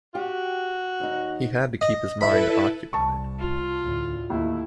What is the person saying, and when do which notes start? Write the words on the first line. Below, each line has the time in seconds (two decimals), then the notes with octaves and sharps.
He had to keep his mind occupied.
0.15 F#4 G4
1.00 D#2 D#4
1.81 D#5
2.21 E4 A4 B4 E5 B5
2.93 C2 A5 C#6
3.39 F4
3.82 D2 A2
4.30 D#2 A3 E4